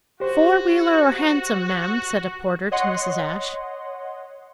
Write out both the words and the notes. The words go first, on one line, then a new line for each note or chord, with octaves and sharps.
"Four-wheeler or hansom, ma'am?" said a porter to Mrs. Ashe.
F#4 G4 C5
C#5 D#5 F#5 C6